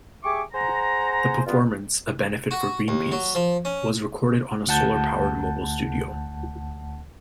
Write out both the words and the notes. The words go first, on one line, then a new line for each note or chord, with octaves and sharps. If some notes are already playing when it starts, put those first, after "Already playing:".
The performance, a benefit for Greenpeace, was recorded on a solar-powered mobile studio.
G4 G#4 E5 C#6 D6
G#4 C5 F#5 A#5
G2 B3 F4
F#4
D#2
F#3
F3
C#4
D2 F#5 A5 G6